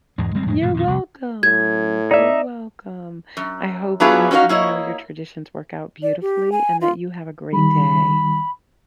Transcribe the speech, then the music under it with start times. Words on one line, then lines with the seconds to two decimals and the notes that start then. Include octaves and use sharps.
You're welcome. You're welcome. I hope that, you know, your traditions work out beautifully and that you have a great day.
0.18 E2 G#2 G#3
0.35 G1 G3 G#3 C4
0.46 F2 A2 G#3
0.61 G#2 B2 E3
0.74 F2 A#2 D#3
0.87 F1 C2
1.43 A2 G#6
2.11 D#4 D5 E5
3.37 F#2
4.00 F#3 B3 D4 E4 F4 G#4
4.31 C#4 D#4 F#4 C#5 F5
4.49 A#3 E4 C#5 D#5
6.03 D5
6.22 G4
6.52 G#5
6.81 F4
7.53 D#3 G3 B5